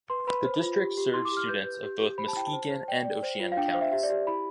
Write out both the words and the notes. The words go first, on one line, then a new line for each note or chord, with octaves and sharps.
The district serves students of both Muskegon and Oceana counties.
B4 C6
B4 B5
C5
F4
G4
G4
E4 C6
D6
G4 F6
B4 G6
B4
G4
G4
C5 B5
A5
E4 G5
A5
C5
C5
D5 G5
D5
C5
F4
F5
D4 G5
C5 F5
E5
G4 E5
D5
G4
E4 B5